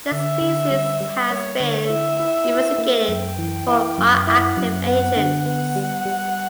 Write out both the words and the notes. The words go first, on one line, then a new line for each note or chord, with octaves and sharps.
The species has been investigated for bioactive agents.
D3 E5
D3
G3
G3
A#3 C#5
D3 C#5
E4 E5
E4
E4
A#3
F#2 G5
E3
E4
F#2
E4 F#5
F#2
B3 F#5
D3
B3 F#5
G3
G3